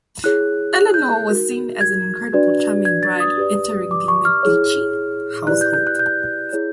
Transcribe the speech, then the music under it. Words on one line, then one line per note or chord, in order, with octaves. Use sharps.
Eleanor was seen as an incredibly charming bride entering the Medici household.
E4 G#4 C#5 F#6
F#6
G6
D#4 F#4 A#4
G#6
D4 F#4 B4 D5
G#6
A6
D#6
G4 B4 D5
D6
C#6
F6
E4 G#4 C#5
E4 G4 B4 D5 F#6
G6
G6
F#6
G6
E4 G#4 C#5